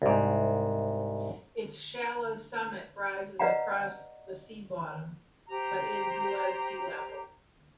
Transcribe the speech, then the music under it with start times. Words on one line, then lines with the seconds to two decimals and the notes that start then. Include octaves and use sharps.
Its shallow summit rises across the sea bottom but is below sea level.
0.02 C2 G#2
3.39 B4 D5 D#5 F5 F#5 A#5
5.48 G4 C5 A#5